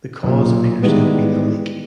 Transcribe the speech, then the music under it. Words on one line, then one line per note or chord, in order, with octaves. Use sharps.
The cause appears to have been a leak.
B1 A#2
D#3 E3 G3 G#3 B3